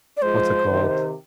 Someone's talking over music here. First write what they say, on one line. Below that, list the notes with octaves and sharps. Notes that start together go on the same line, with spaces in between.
what's it called
D5
F3 G#3 C5
C3 D#3